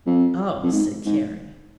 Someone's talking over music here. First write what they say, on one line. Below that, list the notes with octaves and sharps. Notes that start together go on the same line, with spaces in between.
"Oh," said Carrie.
F2
F2
G#2
G#2